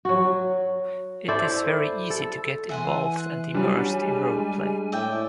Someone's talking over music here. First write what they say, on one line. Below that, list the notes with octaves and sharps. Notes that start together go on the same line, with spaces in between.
It is very easy to get involved and immersed in role-play.
F#3 F#4
E4 A4 C5 D5
A4
E3 E5 F#5 G#5 C6
F#6
F#3 G3 D4 G#5
G#3
G#3
A2 D5 E5 G5